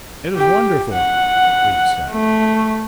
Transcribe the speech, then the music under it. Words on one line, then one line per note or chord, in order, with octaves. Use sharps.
"It is wonderful," Leif said.
G4
F#5
A3